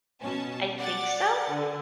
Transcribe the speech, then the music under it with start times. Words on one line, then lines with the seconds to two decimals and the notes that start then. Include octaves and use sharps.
I think so?
0.21 B2 C#4 A5
0.79 D5 F#5 A6
1.49 D3